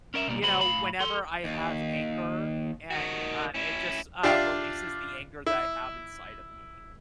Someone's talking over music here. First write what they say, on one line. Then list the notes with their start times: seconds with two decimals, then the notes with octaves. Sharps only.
you know, whenever I have anger and, uh, it just, uh, releases the anger that I have inside of me.
0.14 C#4 A#4 D#5 E5
0.28 B2 G3 A#3
0.42 C#2 A#2 G3 F#4 C5 B5
0.60 A2 F5 B5
1.00 A4 C6
1.44 D#2
2.90 D#3 F#4
3.54 C#4 E4
4.23 D4 F4 G4 D5 E5 F5
5.46 E4